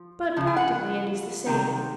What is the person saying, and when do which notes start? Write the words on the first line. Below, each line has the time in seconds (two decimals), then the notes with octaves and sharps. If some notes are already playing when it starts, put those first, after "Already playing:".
But practically it is the same.
Already playing: F3
0.37 C#3 F3
0.47 G#5
0.56 F#5
1.46 C3 D#3